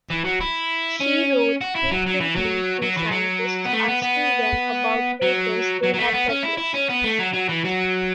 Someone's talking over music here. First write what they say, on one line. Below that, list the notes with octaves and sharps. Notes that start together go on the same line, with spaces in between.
She wrote frequently to scientists, asking them about papers they had published.
E3
F#3
E4
C#4
F#4
E4
F#3
F#3
E3
F#3
F#3
E3
F#3
B3
A3
B3
B3
F#3
F#3
F#3
A3
B3
C#4
E4
E4
C#4
B3
A3
F#3
F#3
E3
F#3